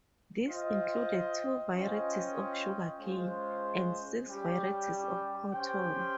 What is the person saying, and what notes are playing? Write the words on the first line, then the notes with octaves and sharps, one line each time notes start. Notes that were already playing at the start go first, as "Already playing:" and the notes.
These included two varieties of sugar cane and six varieties of cotton.
F4 C5 D#5 G5
C#4 F4 C5 D#5 G5
G#3 C#4 F4 C5
G3 C#4 G4
C#4 G4 C5 G5